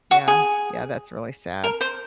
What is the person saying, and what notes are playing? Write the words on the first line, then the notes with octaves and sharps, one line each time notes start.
Yeah. Yeah, that's really sad,
F#4
G#4
A#4
C5